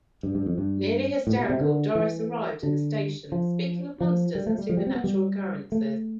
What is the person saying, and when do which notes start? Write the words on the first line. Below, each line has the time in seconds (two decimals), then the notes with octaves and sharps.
Nearly hysterical, Doris arrived in the station speaking of monsters and supernatural occurrences.
0.23 G2
0.35 G2
0.46 F2
0.58 G2
1.27 A2
1.38 B2
1.49 C3
1.61 D3
1.95 E3
2.63 D3
3.32 F3
4.01 F3
4.35 G3
4.47 A3
4.58 G3
4.69 F3
4.77 G3
4.87 C4
4.95 B3
5.04 G3
5.72 A3